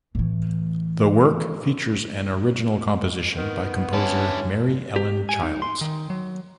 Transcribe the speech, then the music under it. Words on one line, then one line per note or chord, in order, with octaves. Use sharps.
The work features an original composition by composer Mary Ellen Childs.
A2 E3
D#3 B3
D3 C#4 E4 A5
G4
G#5
D#4
C6
D#3
F#3